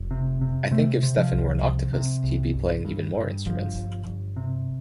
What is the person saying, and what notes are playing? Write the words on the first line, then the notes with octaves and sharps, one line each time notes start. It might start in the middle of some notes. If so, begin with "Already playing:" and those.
I think if Stefan were an octopus, he'd be playing even more instruments.
Already playing: F1
C3
C3
C3 A3
C3
F3
C2
C3
C3
C2
G1
G2
G2
G1 F3
G1
G1
C3